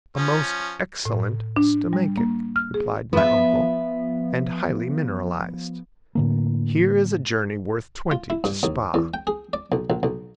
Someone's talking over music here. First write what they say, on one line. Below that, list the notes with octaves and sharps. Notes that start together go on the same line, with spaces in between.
"A most excellent stomachic," replied my uncle, "and highly mineralized. Here is a journey worth twenty to Spa."
F3 C#4
A2
D4
G3
A#3
F6
G#4
F3 B3 B4 E5
A2 D3 A#3
F4
E4
G2
D#2
E2
G5
G#4
D5
B1
A#1
B1